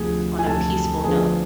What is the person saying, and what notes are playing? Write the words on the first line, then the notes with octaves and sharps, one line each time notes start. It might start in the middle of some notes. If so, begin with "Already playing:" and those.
on a peaceful note.
Already playing: D2 C3 F3 A3 G#4 G#5
G#5
D2 C3 F3 A3 A4 A5
D2 D3 F3 B3 G#4 G#5